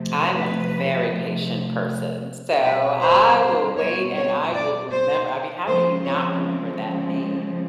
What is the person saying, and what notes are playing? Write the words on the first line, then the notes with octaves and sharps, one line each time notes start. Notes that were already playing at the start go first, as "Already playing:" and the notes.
I'm a very patient person, so I will wait and I will remember I mean, how do you not remember that name?
Already playing: C3 F3 A3
B4
B2 G3 C4 B4
C5
C5
C#5
C#5
D5
C5
C#3 F3 G#3 C4 C5
C#5